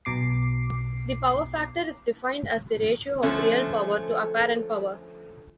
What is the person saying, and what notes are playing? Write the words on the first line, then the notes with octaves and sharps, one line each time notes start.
The power factor is defined as the ratio of real power to apparent power.
B1 B2 D6 C7
D3 F3 A3 C#4